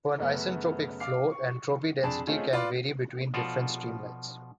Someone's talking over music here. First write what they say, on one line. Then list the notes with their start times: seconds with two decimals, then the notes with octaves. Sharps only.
For an isentropic flow, entropy density can vary between different streamlines.
0.18 F#2 C#3 A3 B3
1.00 F5 D6 F6 C7
1.31 C#6
2.03 F2 D4 G#4 A5 B5 E7
2.27 A3 C4 C#4 D#4 F4 G#4
2.53 F4 B4 D5 C6 D6
3.34 B2 F3 F4 A4 D5 A#5